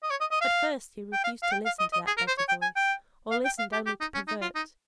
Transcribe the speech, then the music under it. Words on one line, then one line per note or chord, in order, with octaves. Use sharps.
At first he refused to listen to that better voice; or listened only to pervert.
D#5
C#5
D#5
D#5
F5
G5
F5
F5
G5
F5
D#5
D#5
G#4
A#4
C5
C#5
G5
G#5
G5
F5
G5
F5
G4
G4
D#4
C#4
D#4
F4
D#4